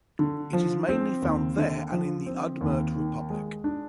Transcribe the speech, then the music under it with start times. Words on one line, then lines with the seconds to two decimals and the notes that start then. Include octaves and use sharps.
It is mainly found there and in the Udmurt Republic.
0.19 D3
0.53 F3
0.89 C4
1.22 D#2
1.57 D3
1.92 F3
2.26 C4
2.61 D#2
2.95 D#3
3.30 G#3
3.64 D4